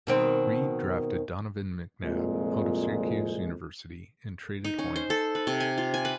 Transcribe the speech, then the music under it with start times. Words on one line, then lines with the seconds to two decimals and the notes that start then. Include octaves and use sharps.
Reid drafted Donovan McNabb out of Syracuse University, and traded Hoying.
0.07 B2 D#3 C4
2.02 C2 F2 A#2 G#3
4.64 D#4
4.79 C#4
4.96 C5
5.10 A4
5.35 B4
5.47 C3
5.60 G#5
5.78 F4
5.94 G#5
6.05 B4